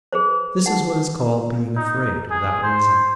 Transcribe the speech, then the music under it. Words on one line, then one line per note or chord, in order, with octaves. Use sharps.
This is what is called being afraid without reason.
G#4 B4 C5
D#4 F#5
D#4
G#4
C5